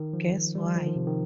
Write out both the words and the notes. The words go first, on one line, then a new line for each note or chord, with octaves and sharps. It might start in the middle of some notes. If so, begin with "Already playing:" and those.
Guess why.
Already playing: D#3
F3
G3
F3
D#3
C3
D#3